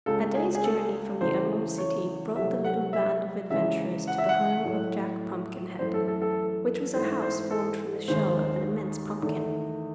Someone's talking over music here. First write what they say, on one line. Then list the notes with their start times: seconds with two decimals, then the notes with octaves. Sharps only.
A day's journey from the Emerald City brought the little band of adventurers to the home of Jack Pumpkinhead, which was a house formed from the shell of an immense pumpkin.
0.06 C#2 C#3 G#3 A4
0.35 G#4
0.55 G#4
0.64 A4
1.21 E2 C#3 E3 A3 C5
1.78 C#5
2.35 C2 C3 F#3 A3 E5
2.64 F#5
2.93 E5
3.50 E2 C#3 E3 G#3 E5
4.07 F#5
4.18 E5
4.29 F#5
4.65 A2 F#3 A3
5.79 F#2 E3 A3 C5
5.94 A4
6.08 A4
6.22 A4
6.94 G#2 E3 A3 C5
7.22 C5
7.51 A4
8.08 D#2 D#3 G#3 C5
9.22 E2 D#3 A3